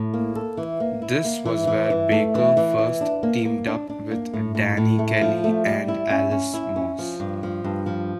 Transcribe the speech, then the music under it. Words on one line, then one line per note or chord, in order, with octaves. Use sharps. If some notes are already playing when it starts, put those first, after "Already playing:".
This was where Baker first teamed up with Danny Kelly and Allis Moss.
Already playing: A2
A#3
A4
E3
A#3
E4
A#3
E3
E3
E3
A3
E3
E3
E3
D4
A#3
A#3
D4
D4
A#3
A2
A2
A2
A3
F3
A3
G3
E4
C#4
C#4
E4
C#4
F3
G2
F3
G2
F3